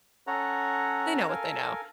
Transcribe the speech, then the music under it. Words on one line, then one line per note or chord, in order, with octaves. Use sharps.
they know what they know,
C#4 A4 C#5 F#5 A#5
A4 A#4 F5 G#5